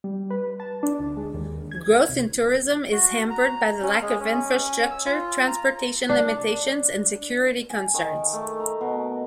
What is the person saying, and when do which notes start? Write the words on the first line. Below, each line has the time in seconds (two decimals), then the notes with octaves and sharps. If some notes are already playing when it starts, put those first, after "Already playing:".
Growth in tourism is hampered by lack of infrastructure, transportation limitations and security concerns.
0.04 G3
0.30 B4
0.60 A5
0.83 D4
0.99 D2
1.17 G#3
1.34 D#2
1.71 G#6
2.09 C2
2.92 F#4
3.30 A#5
3.83 C#4
4.02 G#3
4.20 C#4
4.91 E6
5.06 F4
5.47 A#5
6.09 D4
7.70 G#5
7.94 D#3
8.33 A3
8.60 A#5
8.81 B2